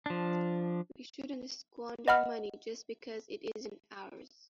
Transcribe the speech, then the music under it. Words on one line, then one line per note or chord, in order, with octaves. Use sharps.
We shouldn't squander money just because it isn't ours.
F3 D4
D#5 F#5 B5 F6